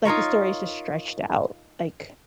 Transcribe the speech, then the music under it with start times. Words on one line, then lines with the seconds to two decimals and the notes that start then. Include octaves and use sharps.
like, the story is just stretched out, like,
0.05 D#4 F4 A#4 C#5